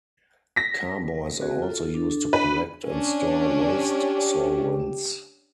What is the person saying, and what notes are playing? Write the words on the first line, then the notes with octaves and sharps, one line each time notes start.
Carboys are also used to collect and store waste solvents.
A#6 B6
C4 F#4 G#4
F4 A4
D4 A4
B4
C#4 D4
G4